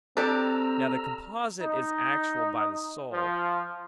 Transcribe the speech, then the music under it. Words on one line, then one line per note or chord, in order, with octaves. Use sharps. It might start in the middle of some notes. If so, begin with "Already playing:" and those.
Now the composite is actual by the soul.
C4 D4 G4 A4 D5 A#5 E6 F6
D#4
F3